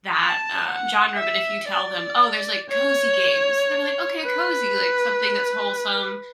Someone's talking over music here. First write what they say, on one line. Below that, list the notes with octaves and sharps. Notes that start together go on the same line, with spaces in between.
that, uh, genre but if you tell them, "Oh, there's, like, cozy games," they're like, "Okay, cozy," like, something that's wholesome,
A5
F#5
E5
D5
C#5
B4